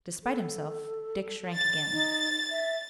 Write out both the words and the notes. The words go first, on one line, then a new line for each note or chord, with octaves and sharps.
Despite himself Dick shrank again.
A4
A6
D#4
E5